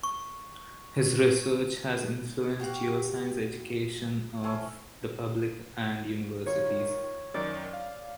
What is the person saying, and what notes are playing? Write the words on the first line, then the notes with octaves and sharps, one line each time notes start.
His research has influenced geoscience education of the public and universities.
C#6
F#4 G4 F5 F#5
C#4 E4 A4 C5
D#3 F4 C#5
F#2 D#3 F#3 D5
F5